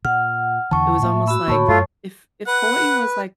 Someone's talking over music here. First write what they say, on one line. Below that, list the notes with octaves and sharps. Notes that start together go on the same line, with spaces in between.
it was almost like if if Hawaii was like,
A#2 F#5 F6
E2 D3 E3 A5 C#6
A2 G3 A#3 E5
F#4 B5 E6
A2 D3 A#3 C#5 A5 C#6
F#2 A3 F4
B4 F#5